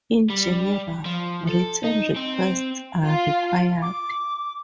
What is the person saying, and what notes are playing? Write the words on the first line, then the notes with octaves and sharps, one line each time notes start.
In general, written requests are required.
G3
F3
A4
D#4
C4
F4
D6